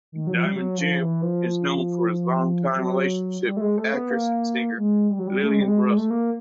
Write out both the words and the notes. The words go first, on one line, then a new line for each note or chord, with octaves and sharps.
"Diamond Jim" is known for his longtime relationship with actress and singer Lillian Russell.
D#3
F#3
F3
G3
F#3
F3
E3
F3
F3
F#3
G3
A3
G#3
A3
B3
A#3
G#3
G3
F#3
G3
A3
G#3
G3
G#3
G#3
A3
A#3